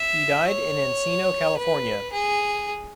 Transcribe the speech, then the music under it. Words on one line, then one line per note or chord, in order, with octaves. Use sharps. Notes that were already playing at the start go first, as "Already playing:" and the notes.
He died in Encino, California.
Already playing: E5
C#5
B4
G#4